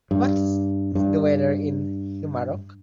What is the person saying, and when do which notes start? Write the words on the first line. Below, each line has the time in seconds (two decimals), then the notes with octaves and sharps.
What's the weather in Humarock?
0.11 G2
0.95 G2